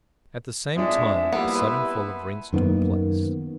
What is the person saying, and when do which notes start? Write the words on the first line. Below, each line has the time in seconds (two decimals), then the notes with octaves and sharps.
At the same time a sudden fall of rents took place.
0.76 F2 F3 G#3 D4 E5
1.33 G3 A#3 B3 E4 A5
1.55 B4 C6
2.53 F#2 D#3 A#3 B3